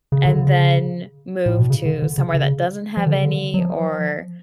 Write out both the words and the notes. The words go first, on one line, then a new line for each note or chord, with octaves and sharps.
and then move to somewhere that doesn't have any, or,
C#3
D3
C#3
A2
B2
C#3
D3
D3
C#3
C#3
F3
D3
C#3
D3
F#3
F3